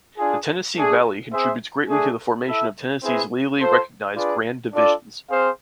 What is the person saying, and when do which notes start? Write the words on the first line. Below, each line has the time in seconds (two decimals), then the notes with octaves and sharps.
The Tennessee Valley contributes greatly to the formation of Tennessee's legally recognized Grand Divisions.
0.18 D4 F4 G#4
0.76 A3 D4 G#4
1.33 C4 G#4 C5 E5
1.89 A3 D4 G#4
2.46 E4 A4 E5
3.03 C4 E4 G#4 B4 E5
3.60 F4 A4 C5
4.16 D4 F4 G#4 B4 D5
4.73 D4 F4 A4 D5
5.30 C4 G#4 C5 F5